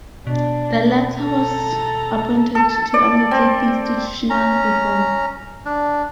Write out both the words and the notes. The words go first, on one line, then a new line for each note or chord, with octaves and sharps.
The latter was appointed to undertake institutional reform.
B2 D4
A4 A#5
A4
D5
C4
C#4 A#5
D4